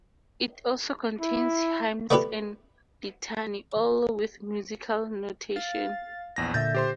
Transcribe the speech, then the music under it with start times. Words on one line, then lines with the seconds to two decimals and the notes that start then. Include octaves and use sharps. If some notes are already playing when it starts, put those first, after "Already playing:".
It also contains hymns and a litany, all with musical notation.
1.21 E4
2.11 A3 B3 D4 E4 G4 B4
5.56 F5 A6
6.36 A#1 E2 A#6
6.54 A#2 D3 E5 G6 A6
6.74 G4 C5 C6